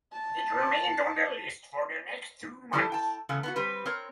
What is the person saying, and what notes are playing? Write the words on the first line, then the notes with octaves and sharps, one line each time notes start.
It remained on the list for the next two months.
A5
F3 G3 A3 E4 A4
G5 A5
E2 C#3 A3 B3
B3 D#4 F#4
G3 C4 G4 B4
C4 A#4 C#5